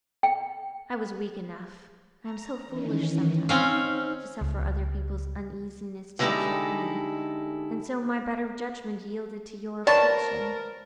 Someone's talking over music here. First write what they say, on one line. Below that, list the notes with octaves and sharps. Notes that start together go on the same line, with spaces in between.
I was weak enough--I am so foolish sometimes!--to suffer other people's uneasiness to affect me, and so my better judgment yielded to your affliction.
G5
A#5
D#3 E3 C#4
C4 C#4 D#4 F5
C#2
D3 G#3 D#4 E4 G4 A4
F3 A#4 B4 C#5 D5 A5